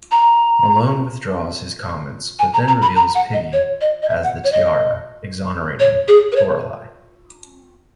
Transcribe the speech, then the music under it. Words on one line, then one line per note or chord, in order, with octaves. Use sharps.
Malone withdraws his comments, but then reveals Piggy has the tiara, exonerating Lorelei.
A#5
G#5
A#5
A#5
B5
A#5
F#5
D#5
C#5
D#5
D#5
E5
F#5
C#5
D#5
C#5
G#4
B4
C#5